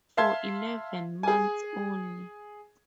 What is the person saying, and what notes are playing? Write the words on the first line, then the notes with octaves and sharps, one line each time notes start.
For eleven months only.
E5 F5 A5 C6 G#6
G#4 G#5